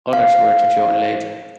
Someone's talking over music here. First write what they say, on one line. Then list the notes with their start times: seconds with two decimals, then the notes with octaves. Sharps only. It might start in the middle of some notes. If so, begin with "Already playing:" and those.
Others were to join later.
0.13 F5